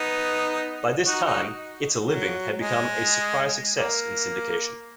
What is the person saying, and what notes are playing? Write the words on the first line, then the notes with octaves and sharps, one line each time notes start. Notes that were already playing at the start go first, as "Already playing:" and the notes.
By this time, "It's a Living" had become a surprise success in syndication.
Already playing: B3 D#4
D#4 F#4
D#4 F#4
F#3
G#3
A#3